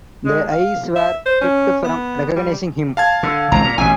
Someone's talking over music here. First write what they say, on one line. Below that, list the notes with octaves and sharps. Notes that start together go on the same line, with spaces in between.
Their eyes were kept from recognizing him.
G#3
F5
E5
C5
C#4
B3
G3
F5 A5 G#6
D3
G#1 C#2 C3 A#5
A#2
A1 B2 G#5